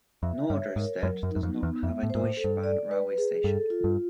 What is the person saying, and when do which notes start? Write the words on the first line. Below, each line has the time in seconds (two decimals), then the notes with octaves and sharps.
Norderstedt does not have a Deutsche Bahn railway station.
0.23 F2 E5
0.50 G2 C#5
0.76 G#2 A#4
1.03 F#2 F#3
1.23 F#2
1.30 D#4
1.36 F#2
1.43 F2
1.56 B3
1.63 E2
1.83 F2 E5
2.03 A2
2.10 C5
2.15 G#2
2.24 A2
2.37 A4
2.44 G2
2.64 D5
2.91 B4
3.18 G#4
3.44 G2 A4
3.70 F4
3.84 G2